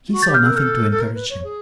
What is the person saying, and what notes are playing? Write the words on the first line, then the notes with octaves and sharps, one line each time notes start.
He saw nothing to encourage him.
F4
F#4
G6 A6
G4
F6 G6
G#4 E6 F#6
A#4
A4 F6 G6
A4
A#4
B4
C#5
G#4